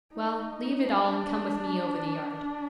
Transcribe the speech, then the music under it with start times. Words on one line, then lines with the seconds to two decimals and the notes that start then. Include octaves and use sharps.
'Well, leave it all and come with me over the yard.
0.13 D#4
0.86 D4
2.34 D4